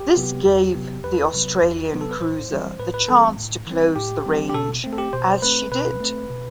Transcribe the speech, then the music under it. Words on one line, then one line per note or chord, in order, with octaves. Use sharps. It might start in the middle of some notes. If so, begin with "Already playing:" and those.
This gave the Australian cruiser the chance to close the range, as she did.
Already playing: G4
C3 F#3 B3
E2
C3 F#3 B3
E2 B4
C3 F#3 B3
E2
C3 F#3 B3
A4
B4
A2 C5
E3 G3 C4
A2 B4
B4
E3 G3 C4 A4
A2
E3 G3 C4
A2 G4
E3 G3 C4
G4
B2 A4
A3 C4
A4
G4
B2 C5
A3 C4 B4
B2 B4
A3 C4
B2